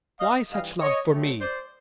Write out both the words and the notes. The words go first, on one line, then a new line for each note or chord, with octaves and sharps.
Why such love for me?
D#5 F5
G2 E3 G3 D#5 F5
C#5 D#5
D3 F#3 A3 C4
C5 D5